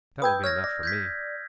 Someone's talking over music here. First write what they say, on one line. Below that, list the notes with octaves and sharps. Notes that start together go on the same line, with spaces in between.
That will be enough for me.'
B4 G5 D#6 E6 G6 G#6
C#5 F6 G#6 A#6
D5 A#6
G6 G#6 B6